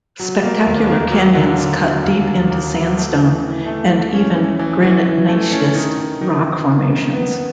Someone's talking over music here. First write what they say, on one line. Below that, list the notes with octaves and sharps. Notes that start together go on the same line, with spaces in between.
Spectacular canyons cut deep into sandstone, and even granite-gneiss-schist, rock formations.
F#3
A#3
D#2
A#3
F#3
D3
D3
F#3
D#2
F#3
D#2
F#3
A3
E3
E3
A3
E3
C#4
E3
E3
E3
E3
A3
C#4
D#3
D#3
D#3
D#3
D#3
D#3
B3